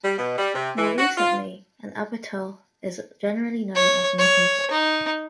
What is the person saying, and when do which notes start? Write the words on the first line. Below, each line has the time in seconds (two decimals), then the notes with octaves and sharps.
More recently, an abettor is generally known as an accomplice.
0.04 G3
0.18 B2
0.37 G3
0.55 C3
0.77 E3
0.98 F#4
1.18 F4
3.76 C#5
4.18 C#5
4.71 D#4